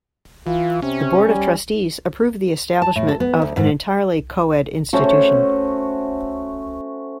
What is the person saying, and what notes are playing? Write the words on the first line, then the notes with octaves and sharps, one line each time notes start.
The Board of Trustees approved the establishment of an entirely co-ed institution.
E3 F4
C3 C#4
G3
A5
A2
A4
B3
D2
G#2
A3 C#4 F#4 C5